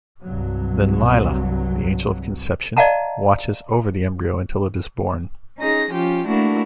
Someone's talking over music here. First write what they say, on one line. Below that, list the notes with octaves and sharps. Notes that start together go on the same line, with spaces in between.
Then Lailah, the Angel of Conception, watches over the embryo until it is born.
C2 G2 F#3
D5 D#5 F5 F#5 A5 A#5
C#4 D#4 G#4 A#6
F3 C#4 F4 G4
A3 A#3 D4 E4 F#4 A#4